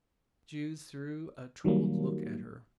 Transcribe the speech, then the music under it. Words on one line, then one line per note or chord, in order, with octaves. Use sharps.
Jude threw a troubled look at her.
D#3 F#3 G3 A#3